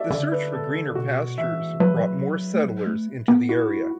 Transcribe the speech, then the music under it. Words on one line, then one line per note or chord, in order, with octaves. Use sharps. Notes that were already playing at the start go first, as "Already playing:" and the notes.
The search for greener pastures brought more settlers into the area.
Already playing: F#4 A4 D5 E5
D3 D5
B4
A4
B2 F#4
E3 E5
F#3 B4
E3
F#3
A3
F#3
A3
B3
E4 F#4